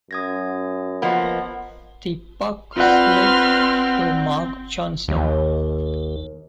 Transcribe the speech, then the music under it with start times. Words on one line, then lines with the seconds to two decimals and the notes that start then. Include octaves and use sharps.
The puck slid to Mark Johnson.
0.11 F#2 D#6 G#6 A#6
1.02 F3 A#3 B3 D#5 F#5 B5
2.76 C4 F4 B4 D5 F#5 C6 F6
5.08 D#2